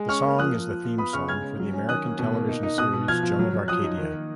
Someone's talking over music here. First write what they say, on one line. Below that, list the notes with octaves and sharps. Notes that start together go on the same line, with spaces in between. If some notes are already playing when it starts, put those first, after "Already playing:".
The song is the theme song for the American television series "Joan of Arcadia".
Already playing: G#3
C#4 C#6 F6
A#3
F3 D#6 F#6
F3
F3
F4
B3 B5 D#6
C#3 C#6 F6
G#3 F6 G#6
C#4
F#3
C#4
D#3 D#6 F#6
A#3
B2
A#3
D#4
D#4
B2 D#6 F#6
B2
F3 F6 G#6
F3
F#3
F#3
F3 D#6 F#6
D#4
D#3
A#3